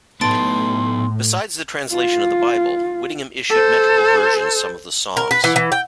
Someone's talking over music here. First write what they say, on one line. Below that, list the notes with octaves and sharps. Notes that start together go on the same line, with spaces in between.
Besides the translation of the Bible, Whittingham issued metrical versions some of Psalms.
A2 B3 D#4 B4 A5 C6 A6 D7
F4
A4 C5
A#4
B4
E3
E3
G5